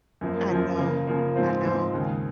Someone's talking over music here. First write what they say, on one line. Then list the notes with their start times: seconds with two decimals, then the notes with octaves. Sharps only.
I know, I know.
0.21 F#2 F3 A#3
0.50 F#2 F3 A#3
0.78 C#3 F3 A#3
1.07 C#3 F3 A#3
1.36 G#2 F3 C4 F4 C5
1.64 G#2 F3 C4 F4 C5
1.93 D#2 C#3 G#3